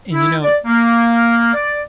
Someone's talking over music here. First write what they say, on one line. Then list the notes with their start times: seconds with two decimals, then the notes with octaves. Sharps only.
and, you know
0.12 E4
0.43 D5
0.65 A#3
1.54 D5